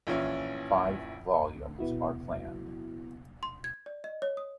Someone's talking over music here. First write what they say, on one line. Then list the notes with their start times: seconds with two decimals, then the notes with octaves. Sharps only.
Five volumes are planned.
0.07 A#1 E3 F3 C#4 E4
1.79 B3 E4 F#4
3.43 C6
3.64 G#6
3.86 D5
4.04 D#5
4.22 C#5
4.37 D#6